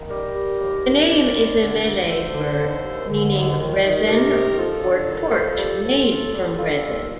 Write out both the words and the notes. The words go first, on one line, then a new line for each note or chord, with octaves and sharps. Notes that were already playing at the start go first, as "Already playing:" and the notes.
The name is a Malay word meaning 'resin' or 'torch made from resin'.
Already playing: D#3
G3 G4 A#4
G3
D#2
D#3
D#2 A#4 D5
D#2
D3
D2
D2 A4 C5
D3
D#2
D#2
D3
D#2
D#3
D#3
C3 G4 A#4
D#3
F3 F4 A4
D3
D#2
F3
G3
A2
A2
G3
G3 F4 A4
D#2